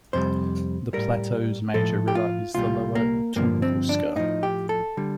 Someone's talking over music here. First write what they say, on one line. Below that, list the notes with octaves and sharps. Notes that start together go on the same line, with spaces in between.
The plateau's major river is the Lower Tunguska.
F2 C3 G3 C5
A2 G3 A#4
A2 F3 A4
G4
F4
C2 A#2 G3 F4
A#3
G2 D3 F3 A#3
C4
D4
A2 F3 D#4
G4
A4
D3 G3